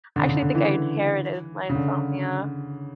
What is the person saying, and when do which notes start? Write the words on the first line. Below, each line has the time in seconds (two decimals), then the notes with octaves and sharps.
I actually think I inherited my insomnia.
0.16 D3
0.25 C#3
0.29 D3
0.42 D3
0.55 E3
1.69 C#3
1.75 D3